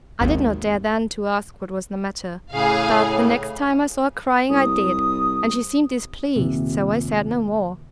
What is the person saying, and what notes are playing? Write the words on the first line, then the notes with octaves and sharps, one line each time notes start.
I did not dare then to ask what was the matter; but, the next time I saw her crying, I did, and she seemed displeased;--so I said no more.
G#1 D#2
A2 C#3 G#4 F5
C2 D#6
D#1 C3